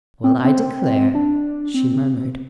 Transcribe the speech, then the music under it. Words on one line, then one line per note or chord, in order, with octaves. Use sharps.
'Well, I declare,' she murmured.
C4
C4
D4
C4